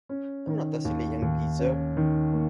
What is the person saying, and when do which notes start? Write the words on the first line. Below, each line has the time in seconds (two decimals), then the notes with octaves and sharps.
I'm not a silly young geezer.
0.09 C#4
0.47 D#3
0.85 D#2
1.22 D#2
1.59 C#4
1.97 D#3
2.33 A#3